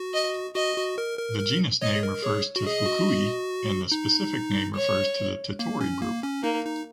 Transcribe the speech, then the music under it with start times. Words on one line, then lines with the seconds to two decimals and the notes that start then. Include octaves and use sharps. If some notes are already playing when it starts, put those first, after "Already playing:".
The genus name refers to Fukui and the specific name refers to the Tetori group.
Already playing: F#4
0.14 D#5
0.55 F#4 D#5
0.76 F#4
0.98 A#4
1.19 A#4
1.39 A#4
1.82 C#5 D#5
1.96 G#4
2.03 A#4
2.23 G#4 C#5
2.56 F#4
2.65 G#4 D#5
2.86 F#4
3.92 D#4
4.75 C#5
5.59 A#3
5.81 C#4
6.01 A#3
6.23 C#4
6.43 A#3 D#4
6.65 D#4